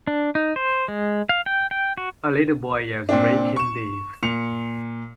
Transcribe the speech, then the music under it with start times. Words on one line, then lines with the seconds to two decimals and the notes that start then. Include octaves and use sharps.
A little boy is raking leaves.
0.07 D4
0.35 D#4
0.56 C5
0.88 G#3
1.29 F5
1.46 G5
1.71 G5
1.98 F#4
3.09 A#2 C4 D4
3.56 C#6 E7
4.23 A#2 C#7 F7